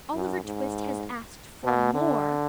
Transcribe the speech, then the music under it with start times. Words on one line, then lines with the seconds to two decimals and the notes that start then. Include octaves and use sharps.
Oliver Twist has asked for more!'
0.14 F#2
0.44 G#2
1.64 B2
1.94 D3